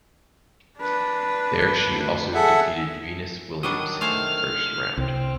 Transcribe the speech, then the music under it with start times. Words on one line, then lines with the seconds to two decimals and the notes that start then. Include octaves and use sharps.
There she also defeated Venus Williams in the first round.
0.78 D4 B4
1.83 D2
2.34 G#4 A4 E5 F#5
3.63 D#3 F#3 G3 D4 D#6
4.01 A3 C5 G#5 F6
4.97 C2 C4